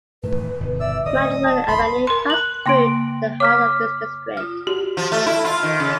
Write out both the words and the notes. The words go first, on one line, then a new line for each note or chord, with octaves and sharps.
Madison Avenue cuts through the heart of this district.
A2 D#3 E3 B4
G1 B2 D#3
D5 E5 E6
D1 D5 D#5 D#6
A5
D#1 D#2 B5 C6
A#4 C6
F#6 F#7
C#3 A#3 G5 C6 D7
C#5 D6 F6 B6
F4 F6
F#4 G4
F3
A3
E4
F4
D#3
C#3